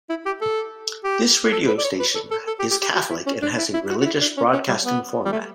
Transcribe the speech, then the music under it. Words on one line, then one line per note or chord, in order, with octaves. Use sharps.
This radio station is Catholic and has a religious broadcasting format.
E4
G4
A4
G4
A4
B4
D5
C#5
B4
A4
A4
A4
G4
G4
G4
F#4
E4
C#4
D4
E4
E4
F#4
F#4
E4
D4
C#4
C#4
G3
B3
G3
A3